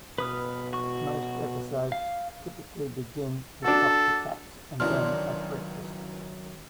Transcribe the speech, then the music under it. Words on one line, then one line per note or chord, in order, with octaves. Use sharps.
Most episodes typically begin with Doctor Katz and Ben at breakfast.
B2 B4 D#6 F6
F#4 C#6
F5
D4 F#4 A4
C#2 F#2 D#3 E3 D4 C6 F6